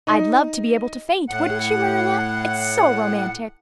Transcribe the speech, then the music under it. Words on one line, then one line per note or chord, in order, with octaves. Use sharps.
I'd love to be able to faint, wouldn't you, Marilla? It's so romantic.
D#4
A2 F#5